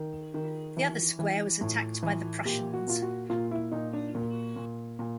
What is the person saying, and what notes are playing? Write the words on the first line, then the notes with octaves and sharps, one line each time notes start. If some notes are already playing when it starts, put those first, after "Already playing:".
The other square was attacked by the Prussians.
Already playing: D#3
D#3
E3
E3
A2
E3
A#2 G4
F#4
A#2 F4
F#4
A#2 F4
E4
A#2 D#4
D4
A#2
A#2
A#2